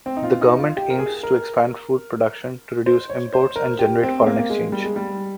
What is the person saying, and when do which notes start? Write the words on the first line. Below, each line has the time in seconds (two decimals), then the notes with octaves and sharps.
The government aims to expand food production to reduce imports and generate foreign exchange.
0.06 C4
0.17 D#4
0.23 F4
0.41 D#4
0.59 F4
0.77 G4
0.90 A#4
0.99 G#4
1.23 A#4
2.86 C5
3.10 C#5
3.33 C5
3.56 A#4
3.79 G4
4.03 C4
4.21 G#3
4.27 A#3
4.39 A#3
4.50 G#3
4.72 G3
4.84 G#3
4.96 G3